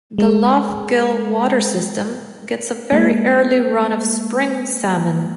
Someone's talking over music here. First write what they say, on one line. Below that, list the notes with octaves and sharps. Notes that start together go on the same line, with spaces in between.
The Lough Gill water system gets a very early run of spring salmon.
G#3
G#3 A#3